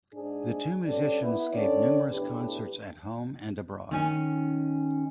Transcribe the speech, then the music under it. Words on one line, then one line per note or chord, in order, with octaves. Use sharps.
The two musicians give numerous concerts at home and abroad.
G#2 D4 G#4
G2 C#4 A4 D5
B3 E4
D#3 C#4 D4 A4 C#5 D5
E2 A2 D4 G4 B4
D#3 C#4 G#5